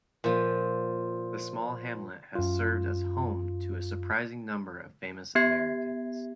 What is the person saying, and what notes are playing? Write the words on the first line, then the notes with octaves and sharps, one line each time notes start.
The small hamlet has served as home to a surprising number of famous Americans.
A#2 F3
F#2 F4
B3 G4 E5 G#6 C7